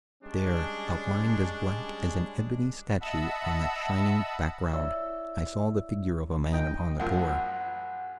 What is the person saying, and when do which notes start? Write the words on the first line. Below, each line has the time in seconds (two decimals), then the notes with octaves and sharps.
There, outlined as black as an ebony statue on that shining background, I saw the figure of a man upon the tor.
0.22 G3 G#3 C#4 D4
3.01 D#5 E5 F#5 A5 B5 E6
4.73 E4 C#5 D5 E5 E6
6.52 D#4 G5
7.00 A#1 F#2 F3 F#5